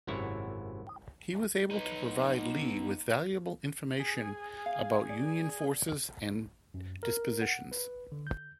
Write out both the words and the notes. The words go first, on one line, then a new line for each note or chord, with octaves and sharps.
He was able to provide Lee with valuable information about Union forces and dispositions.
G#1 F#2 C3 E4 C#5
B3 D#4
G#4
F5
D5
F#2
A#4
F#5
B4
D3
G6